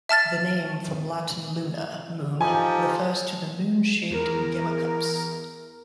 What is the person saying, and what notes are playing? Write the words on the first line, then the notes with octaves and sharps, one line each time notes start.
The name, from Latin "luna", moon, refers to the moon-shaped gemmacups.
E5 A5 F6 A6
F3 D#4 G4 A4 G#5
E2 A#4